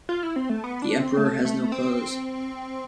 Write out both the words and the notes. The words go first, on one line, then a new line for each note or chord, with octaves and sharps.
The emperor has no clothes.
F4
E4
C4
A3
B3
D4
C4
A3
A3
C4